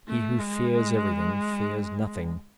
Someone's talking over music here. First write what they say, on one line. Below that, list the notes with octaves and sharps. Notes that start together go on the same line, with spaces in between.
He who fears everything fears nothing.
A3
G#3